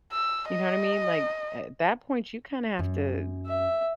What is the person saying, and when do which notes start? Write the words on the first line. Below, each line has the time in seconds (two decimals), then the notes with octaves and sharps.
You know what I mean? Like, uh, that point, you kinda have to,
0.13 E6
0.50 D#5
2.79 F#2
3.46 E5